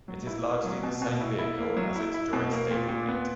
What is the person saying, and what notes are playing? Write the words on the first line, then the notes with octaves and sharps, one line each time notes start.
It is largely the same vehicle as its Joy stablemate.
F#3
E4
A#3
F#3
B2
B2
E4
E4
A#3
F#3
E4
E4
B2
A#3
A#2
A#2
B3